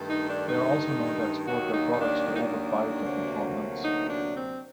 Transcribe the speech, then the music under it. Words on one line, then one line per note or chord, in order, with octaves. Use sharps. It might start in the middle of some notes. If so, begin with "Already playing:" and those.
They are also known to export their products to over five different continents.
Already playing: G2 D#3 A3
D#4
D4
D#4
D#2 D#3 F#3 A#3 F#4
D#4
D#4
D4
D4
D#4
D4
D2 C3 F#3 A#3
D#4
D4
C4